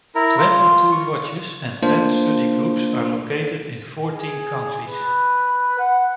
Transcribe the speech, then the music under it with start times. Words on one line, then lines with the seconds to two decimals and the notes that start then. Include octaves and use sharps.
Twenty-two lodges and ten study groups are located in fourteen countries.
0.15 E4 A#4
0.38 F4
0.92 C#6
1.82 A3 A#3 D4 F4 C5 F5
4.11 G#4
4.85 B4
5.79 F#5